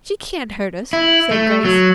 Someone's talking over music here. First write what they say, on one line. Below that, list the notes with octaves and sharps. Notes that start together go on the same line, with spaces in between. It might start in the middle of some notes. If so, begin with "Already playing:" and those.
"She can't hurt us," said Grace.
E4
A3
F#3